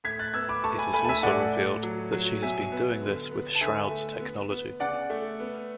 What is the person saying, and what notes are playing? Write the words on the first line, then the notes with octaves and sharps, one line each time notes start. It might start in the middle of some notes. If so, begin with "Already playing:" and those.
It is also revealed that she has been doing this with Shroud's technology.
A2 G#6 B6
F#6 A6
B3 E6 G#6
B5 D6
A3 A5 C#6
G#5 B5
A3 G#5 B5
A5
E5 G#5
A2 D5 F#5
A2
F#3
F#3
B2 E5 G#5
B3
D3
B3
A5
D3 E5 G#5
A3
B3
B3
C#3 D5 F#5
A3
B3